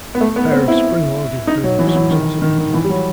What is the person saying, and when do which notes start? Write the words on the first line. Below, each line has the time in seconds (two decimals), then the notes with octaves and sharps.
A pair of spring-loaded booms was also deployed.
0.15 B3
0.21 A3
0.36 B3
0.52 C4
0.68 E4
1.47 D#4
1.63 F#3
1.79 E3
1.87 F#3
1.95 E3
2.11 D#3
2.42 D#3
2.58 D#3
2.74 E3
2.84 G3
2.89 F#3